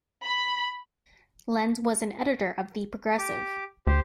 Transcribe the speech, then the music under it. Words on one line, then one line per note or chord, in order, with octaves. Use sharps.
Lens was an editor of "The Progressive".
B5
G4 D6
D2 G4 C5